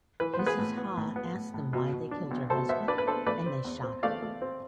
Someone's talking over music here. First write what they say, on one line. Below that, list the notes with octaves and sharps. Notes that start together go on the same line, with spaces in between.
Mrs. Ha asked them why they killed her husband and they shot her.
E3 B4
C5
B3
G#4 B4
A2
B3
A2
B3
A2
A2
B2
B2
D4
B1
B2 A4 C5
B3 C5 E5
D4 B4 D5
B4
D4 A4 C5
A3 B4 D5
C4
E2
C4
A3 D5 F5
A3
C4